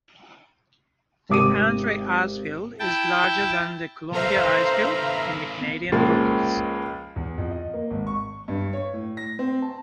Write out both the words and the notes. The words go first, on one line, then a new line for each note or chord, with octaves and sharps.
The Andrei Icefield is larger than the Columbia Icefield in the Canadian Rockies.
G#1 C3 D6 D#6 D#7
E4 G5 A5
B3 A4 C5 E5 F5 A#5
C#2 F3 G#3 A#3
E2
F2
D#5
A#3
G#1
C#6
G2
C#5
A2
A#6
C4
A5